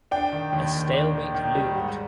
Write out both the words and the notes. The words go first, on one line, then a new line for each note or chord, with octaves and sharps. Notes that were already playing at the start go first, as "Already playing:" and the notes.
A stalemate loomed.
D4 G5
D#3
D#2
D#3
D4
D#3
D#3
G3
G#2